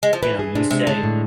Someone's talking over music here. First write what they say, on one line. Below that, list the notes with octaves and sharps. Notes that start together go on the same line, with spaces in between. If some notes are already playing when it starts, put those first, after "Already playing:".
you know, you say
G#3
F3
E3 B4
G#4
C3 D4
C3 G#3
D3 G#3
A2